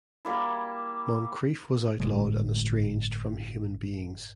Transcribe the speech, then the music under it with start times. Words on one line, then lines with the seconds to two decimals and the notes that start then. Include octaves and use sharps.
Moncreiff was outlawed and estranged from human beings.
0.25 G3 A#3 E4
2.00 G1 A2 G#3